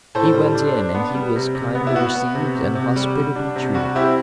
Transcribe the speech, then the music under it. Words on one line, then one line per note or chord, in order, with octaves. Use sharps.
He went in, and he was kindly received and hospitably treated.
A2 A4 C5
G3
D4
D4
B3
G3
C3
C3
B3
E4
B3 F#4
B3
C3
C3
C3
G3
G3
D4
C3
G3 F#4
C4 E4 G4